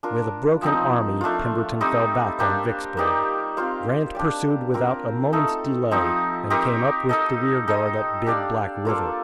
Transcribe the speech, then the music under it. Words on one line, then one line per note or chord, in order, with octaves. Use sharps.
With a broken army, Pemberton fell back on Vicksburg. Grant pursued without a moment's delay, and came up with the rear guard at Big Black River.
D4 F4 A#4
F3 C4 D#4
A3 D4 F4
G3 C4 D#4
A#3 D4 G4 C5
A#3 D#4 G4 D5
C4 F4 C5 F5
D4 G4 D5
C4 F4 A#4
A3 D#4 A4
F3 C4 D#4
C4 D#4 G4 A#4
D#4 A4 D#5
D#4 A4 D#5
D4 G4 D5 F5
A#3 F4 A4 D5